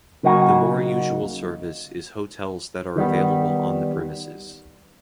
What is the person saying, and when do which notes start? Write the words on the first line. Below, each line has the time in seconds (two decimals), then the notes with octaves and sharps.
The more usual service is hotels that are available on the premises.
0.23 C#3 F#3 A#3 D#4 F#4
2.96 D#3 G3 B3